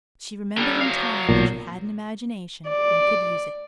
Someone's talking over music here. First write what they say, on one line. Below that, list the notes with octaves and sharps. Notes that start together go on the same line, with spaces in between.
But she remembered in time that she had an imagination and could use it.
D3 G3
F#3 F5
B1 A#2
D5